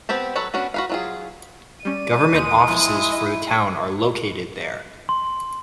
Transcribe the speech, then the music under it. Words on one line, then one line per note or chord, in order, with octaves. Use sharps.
Government offices for the town are located there.
B3 C4 G4 A5
F#3 F#4 A4 B4 C#5
B3 C#4 D4 F#4
F#4 B4 F5
F#3 F4 G#4
G3 C#4 D5 D#7
D#2 G#3 C#6 G6
B1 F3 E4 D#6
D#5
C6